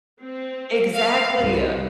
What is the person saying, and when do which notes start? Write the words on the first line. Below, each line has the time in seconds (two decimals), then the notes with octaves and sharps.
Exactly, uh!
0.22 C4
0.95 F5
1.38 C2